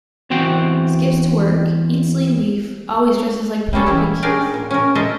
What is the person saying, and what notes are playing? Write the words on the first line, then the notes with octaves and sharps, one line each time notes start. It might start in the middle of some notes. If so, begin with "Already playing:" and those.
Skips to work, eats lean beef, always dresses like Penelope Keith.
E2 C4 F#4 G5
G3 A#3 C#4 A4 B4
A#2 E3 E4
C#4 D4 G4 G#4 A#4 D5
A#2
C#4 A#4
A4 A#4 C5 D#5 E5 A5